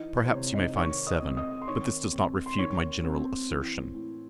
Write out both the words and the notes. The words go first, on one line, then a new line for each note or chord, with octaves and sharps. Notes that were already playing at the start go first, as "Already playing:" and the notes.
Perhaps you may find seven, but this does not refute my general assertion.
Already playing: E3 D#4 D#5
C5
C3 C#5
D#4 D#5
D#3 C#5 C#6
D#5 D#6
C4
D#5 D#6
C6
D#3 C#5 C#6
C4
C6
D#3 C#5 C#6
C4
E3
A2